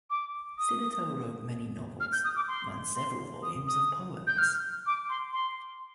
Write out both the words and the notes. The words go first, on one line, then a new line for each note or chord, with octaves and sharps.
Sillitoe wrote many novels and several volumes of poems.
D6
D#6
F6
G6
D#6
D6
C6
C6
D#6
D#6
G6
F6
D6
C6
C6